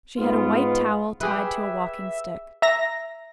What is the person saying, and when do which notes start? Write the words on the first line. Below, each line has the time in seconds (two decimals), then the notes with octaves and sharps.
She had a white towel tied to a walking-stick.
0.18 G#2 B3 F4
1.21 G4 G#4 B4 E5
2.62 E5 A#5 A#6